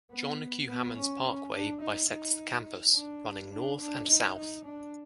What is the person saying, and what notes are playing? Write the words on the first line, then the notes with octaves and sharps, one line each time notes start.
John Q. Hammons Parkway bisects the campus, running north and south.
B3
B3
C#4
C#4
D4
D#4
D#4
D4
D4
D4
D#4
D#4
D4